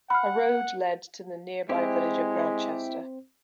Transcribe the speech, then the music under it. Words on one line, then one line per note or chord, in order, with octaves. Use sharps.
A road led to the nearby village of Grantchester.
F#5 B5 F6
G#3 C4 E4 G4 C5